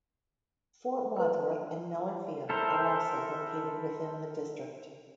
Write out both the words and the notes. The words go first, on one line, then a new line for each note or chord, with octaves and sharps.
Fort Wadsworth and Miller Field are also located within the district.
B4
E4 A4 A#4 C5